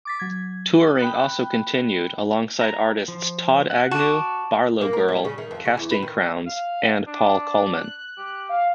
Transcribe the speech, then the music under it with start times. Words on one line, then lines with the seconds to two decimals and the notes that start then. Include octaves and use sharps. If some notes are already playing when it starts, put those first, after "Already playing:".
Touring also continued alongside artists Todd Agnew, BarlowGirl, Casting Crowns and Paul Colman.
0.05 D6 A6 B6
0.19 F#3 G#6
0.87 D#6
1.00 G5 B5 F#6
2.61 A#5
3.08 F3
3.70 F#5
3.91 F#4 A5 D6
4.81 A#3
4.93 A#4
5.08 G3
5.25 C#3
5.38 D#3
5.51 F2
5.65 C#3
5.77 E2
5.91 B4
6.02 D#3
6.47 F5
7.08 D4
7.77 F#6
8.18 G4
8.49 F5